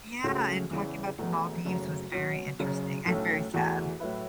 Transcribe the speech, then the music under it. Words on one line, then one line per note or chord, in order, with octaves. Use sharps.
Yeah, and talking about The Maldives was very interesting and very sad.
C#2 C#3 A3 C#4 F#4
E2 C#3 E3
E1 E2 B2 A3
F#1 F#2 C#3 A3 F#4
B2 F#3 C#4 F#4
F#1 F#2 C#3
B1 A2 A3 C#4 A4
E2 E3 A3 F#4
A2 F#3 A3 E4 B4